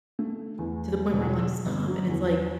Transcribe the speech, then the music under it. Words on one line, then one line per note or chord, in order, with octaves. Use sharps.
to the point where I'm, like, "Stop." And it's, like,
A3
E2
E1
E6
G1
F#3
E2